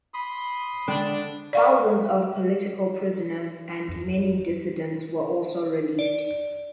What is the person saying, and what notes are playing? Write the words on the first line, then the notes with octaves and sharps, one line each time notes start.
Thousands of political prisoners and many dissidents were also released.
B5 C6 D#6
D3 G#3 D4 G5
D5 F5 C#6
F#1 E2
D5